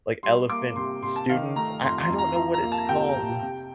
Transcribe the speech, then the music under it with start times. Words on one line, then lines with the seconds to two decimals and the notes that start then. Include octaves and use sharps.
like, elephant students. I I don't know what it's called.
0.23 G3 C6
0.50 A#3 D6
0.76 C3 C6
1.02 C3 C6
1.16 A5
1.30 D#3 F5
1.56 A3 A#5
1.83 F2 C6
2.00 C6
2.10 F2
2.18 A#5
2.35 F3 A#5
2.54 A#5
2.63 A#3
2.72 A5
2.89 C3 G5
3.16 C3
3.43 C3